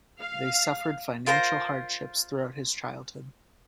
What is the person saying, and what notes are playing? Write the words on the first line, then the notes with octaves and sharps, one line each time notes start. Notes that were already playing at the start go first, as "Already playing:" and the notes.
They suffered financial hardships throughout his childhood.
F5
F4 A#4 C5 A#5